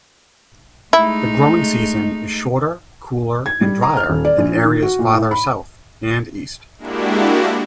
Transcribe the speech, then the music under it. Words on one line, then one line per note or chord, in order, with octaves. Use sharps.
The growing season is shorter, cooler, and drier than areas farther south and east.
G#3 A3 D#4 E4
G#6
G3
A#5
F6
D#1
D5
A#1
D#3
F#4
A#2
A2
B5
G#3 A#3 D4 E4 F#4 G4